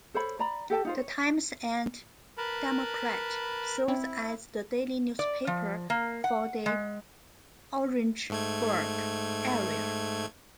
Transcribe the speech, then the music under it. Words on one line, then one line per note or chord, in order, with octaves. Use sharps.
"The Times and Democrat" serves as the daily newspaper for the Orangeburg area.
A4 C5 C#5 B5
D5 A#5 B5
G4 A4 G5 A5
D#4 F4 C5
C#5
A#4 B4 A5 B5
C4 E4
D5
F3
A#3
F#5
G#3
G#2 A3 G#6